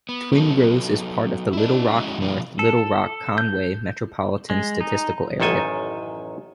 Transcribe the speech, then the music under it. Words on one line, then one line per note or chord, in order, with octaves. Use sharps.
Twin Groves is part of the Little Rock-North Little Rock-Conway Metropolitan Statistical Area.
B3
F#3 B3 A4
D4 E4
G#3 C#4 E4 F#4
B2 D3 F3 A#3 C4
A4
G6
G#3
D#4
A1 F#2 D#3 A4 G#5